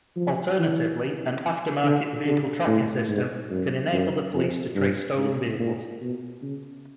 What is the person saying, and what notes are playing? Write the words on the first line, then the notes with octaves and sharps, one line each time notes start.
Alternatively, an aftermarket vehicle tracking system can enable the police to trace stolen vehicles.
F3
E3
D3
D3
A2
G#2
F#2
F#2
F2
G2
G#2
A#2
B2
C#3